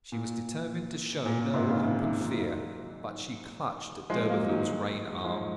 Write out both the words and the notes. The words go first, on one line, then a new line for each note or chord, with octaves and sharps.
She was determined to show no open fear, but she clutched d'Urberville's rein-arm.
A#2
A#2
A#2
G#2 C3
A#2 C#3
C3 D#3
C3 D#3
C#3 F3
D#3 F#3
F3 G#3
F#3 A#3
D#3 F#3
F3 G#3